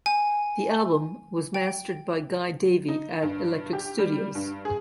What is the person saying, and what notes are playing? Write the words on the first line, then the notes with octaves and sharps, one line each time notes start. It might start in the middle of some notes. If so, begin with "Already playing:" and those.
The album was mastered by Guy Davie at Electric studios.
G#5
G5
D#4
G2
G4
G3
G2
G#4